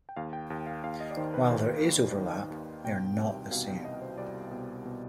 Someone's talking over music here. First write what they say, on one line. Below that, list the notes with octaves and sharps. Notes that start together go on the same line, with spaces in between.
While there is overlap, they are not the same.
G5
D#2 F5
G5
D#2
F5
D#2 F5
D#5
D5
D#3 C5
B4
D#2 C5
D#2
D#3
D#2
B2 G5
C2
B2 F5
G5
C2 D#5
C5
C2 D5
B2
B2